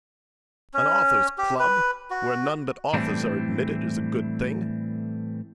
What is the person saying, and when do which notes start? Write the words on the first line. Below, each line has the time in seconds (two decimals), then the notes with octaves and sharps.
An Authors' Club, where none but authors are admitted, is a good thing.
0.74 C#4
1.38 G4
1.59 B4
2.10 F#4
2.94 A2 E3 G3 A3 C4 D4